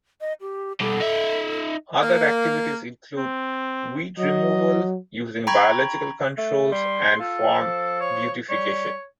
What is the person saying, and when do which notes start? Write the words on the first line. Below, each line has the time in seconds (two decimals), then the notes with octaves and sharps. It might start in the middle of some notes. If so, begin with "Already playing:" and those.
Other activities include weed removal, using biological controls and farm beautification.
0.21 D#5
0.41 G4
0.81 B2 G3 A4
1.00 D#4 E5
2.02 A#3
3.17 C4
4.19 F#3 D#5
5.47 G5 A#5 B5 C#6 G#6
6.38 A3
6.72 G3 C6
7.20 F4 A4
7.48 F3
8.01 C#5
8.50 G3 C#5